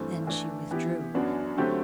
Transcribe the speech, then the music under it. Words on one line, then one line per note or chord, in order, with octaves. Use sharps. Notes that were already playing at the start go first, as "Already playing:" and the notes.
Then she withdrew.
Already playing: G2 E3 A3 C4 E4
E3 A3 D4 A4
E3 B3 E4 G4
F#2 F#3 B3 D4 F#4
D3 F#3 A3 C4 G4